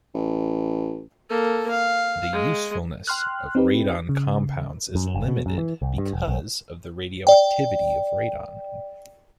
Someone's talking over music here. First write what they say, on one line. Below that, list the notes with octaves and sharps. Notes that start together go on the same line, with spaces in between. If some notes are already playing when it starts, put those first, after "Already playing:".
The usefulness of radon compounds is limited because of the radioactivity of radon.
A1
A#3 A4
F5
G#3
G5 C6 F6 F#6
C4 D#4 G4 B4
C#3
F#2
F#1
B2
F#2
E3
C2
G2
E1
B1
D5 G5